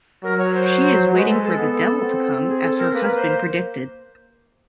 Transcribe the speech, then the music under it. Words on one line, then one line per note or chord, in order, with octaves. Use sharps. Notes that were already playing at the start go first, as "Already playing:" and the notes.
She is waiting for the devil to come, as her husband predicted.
F#3 A#4
C#5
C5
C5
G#3 B4
A4
A4
B3
C4
G#4
A4
A#4
A#3 B4
C5